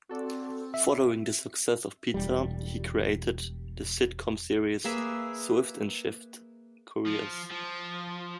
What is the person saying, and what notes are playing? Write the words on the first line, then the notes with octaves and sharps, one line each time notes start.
Following the success of "Pizza", he created the sitcom series "Swift and Shift Couriers".
C4 F#4 A4 D5
E5
E1 G3
A#3 G#4 B4 E5
F3
F3